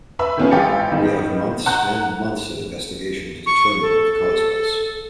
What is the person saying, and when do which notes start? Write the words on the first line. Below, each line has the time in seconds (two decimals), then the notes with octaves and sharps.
We have months and months of investigation to determine what the cause was.
0.19 B4 E5 B5 E6
0.38 D#3 A3 B3 C#4 F4
0.51 G#1 E3 G4 F5 A6 C#7
0.92 D#3 G3 B3 D#4
1.66 F#5 A#5 F#6 G6
3.46 C#6
3.81 A4